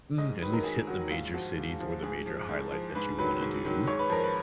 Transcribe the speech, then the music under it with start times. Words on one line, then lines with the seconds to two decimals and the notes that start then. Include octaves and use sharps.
Mhm, at least hit the major cities or the major highlights that you wanna do,
0.18 G#2 D#5
0.41 D#3 B4
0.46 F#3
0.53 A#4
0.64 G#2 G#4
0.87 D#3 F#3 F#4
1.10 G#2 F4
1.34 F3 F#4
1.57 G#2
1.80 F3
2.03 G#2 G#4
2.26 F3
2.49 G#2
2.72 F3
2.95 G#2 B4
3.18 D#3 F#3 B4
3.41 G#2
3.65 D#3 F#3
3.87 G#2 C#5
3.99 B4
4.10 F3 A#4
4.24 B4